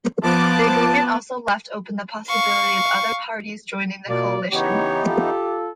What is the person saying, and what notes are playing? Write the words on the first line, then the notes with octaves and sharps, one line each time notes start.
The agreement also left open the possibility of other parties joining the coalition.
F3 B3 A5 D6
F5 C#6
B2 A#3 F4 D5
C#3 E3 B3 D#4 G4 C#5
F4 A4